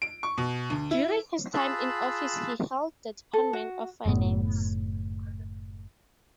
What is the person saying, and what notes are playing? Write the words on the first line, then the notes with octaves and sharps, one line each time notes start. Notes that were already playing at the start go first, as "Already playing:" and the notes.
During his time in office he held the Department of Finance.
D7
C#6
B2
D2
E4
F4 G#4 A5 B5 E6 F#6
A4
F#4
F#1 A2 B3